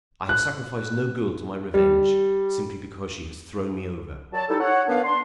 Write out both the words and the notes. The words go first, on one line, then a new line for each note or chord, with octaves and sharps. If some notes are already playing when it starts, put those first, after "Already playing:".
I have sacrificed no girl to my revenge, simply because she has thrown me over.
F#6
G3
F#3 D5 A5
G3 D#4 E4 A4
C#5 F#5
F#2 B3 D4 B4 F5
D4 C6